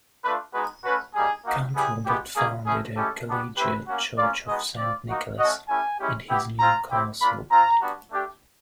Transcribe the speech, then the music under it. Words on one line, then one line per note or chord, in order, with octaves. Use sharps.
Count Robert founded a collegiate church of Saint Nicholas in his new castle.
A3 D4 F4 B4
G#3 B3 D#4 F#4 B4
A3 C#4 F#4 B4
G3 A#3 D#4 G#4
A#3 D#4 F#4
G3 B3 E4 G4 G#4
G#3 B3 E4 G4
G3 A#3 C#4 G#4
A3 C#4 E4 G#4
G#3 C#4 E4 G4 A4
G#3 B3 D4 G4
A3 C4 E4 G4 B4
A#3 C#4 F#4
A#3 C#4 F4 D5
G#3 B3 D#4 F#4 D#5
C4 F4 D5
A#3 D#4 F#4
A3 C#4 F#4 D#5
A3 C#4 E4 G4 G#5
G#3 C#4 E4 G4
B3 E4 G4
C4 F4 A#5
C4 E4 G4
A#3 D4 F4 B5
C4 F4 A#5
G3 B3 D4 F#4
A3 D4 G4